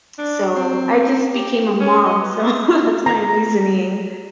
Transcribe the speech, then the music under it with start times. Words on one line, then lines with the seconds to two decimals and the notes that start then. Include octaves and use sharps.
so I just became a mom, so that's my reasoning.
0.18 D4
0.56 C4
1.34 G4
1.80 C#4
2.05 D#5
2.22 B4
3.06 A#5